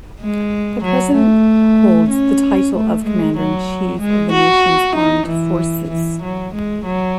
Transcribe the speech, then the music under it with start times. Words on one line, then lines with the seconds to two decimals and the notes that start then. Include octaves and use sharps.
The President holds the title of commander-in-chief of the nation's armed forces.
0.20 G#3
0.83 F#3
1.14 A3
2.10 C#4
2.74 A3
3.05 G#3
3.37 F#3
3.99 G#3
4.32 F#4
4.96 D#4
5.27 E3
5.90 E3
6.22 F#3
6.53 G#3
6.84 F#3